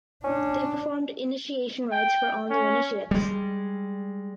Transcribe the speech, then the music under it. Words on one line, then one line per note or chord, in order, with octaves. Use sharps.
They performed initiation rites for all new initiates.
C#4 D4
G5
C#4
G3 G#3